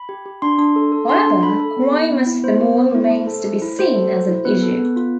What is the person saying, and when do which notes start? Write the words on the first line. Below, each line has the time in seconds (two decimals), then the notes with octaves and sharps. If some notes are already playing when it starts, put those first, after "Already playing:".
However, crime at the mall remains to be seen as an issue.
Already playing: B5
0.09 G4
0.26 G4
0.42 D4 C6
0.58 D4
0.76 A4
0.92 A4
1.09 D4 C6
1.26 D4
1.43 A4 B5
1.60 A4
1.77 B3
1.93 G4
2.11 B3
2.26 E4
2.44 B3 C5
2.60 G4
2.78 B3
2.95 E4
3.11 A3
3.27 A4
3.45 A3
3.62 E4
3.79 A3 C5
3.95 A4
4.12 A3
4.28 E4
4.45 B3 B4
4.62 A4
4.79 B3
4.96 F4